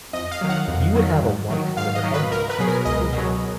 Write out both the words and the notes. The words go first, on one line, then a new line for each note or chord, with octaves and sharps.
You would have a wife with her head in the clouds, would you?
F2 D#5
F5
D#3 F#3
F#5
F2
D#3 F#3
G#2
D#3 F#3
G#2 F5
D#5
D#3 F#3
B4
C#2 A#4
B4
B2 F#3 G#4
A#4
C#2 D#5
B2
F#3